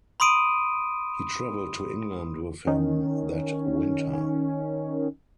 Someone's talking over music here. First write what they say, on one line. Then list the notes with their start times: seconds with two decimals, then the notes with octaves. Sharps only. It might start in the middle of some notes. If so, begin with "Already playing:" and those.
He traveled to England with him that winter.
0.20 B5 C6 D#6 D7 D#7
2.67 D#3 C#4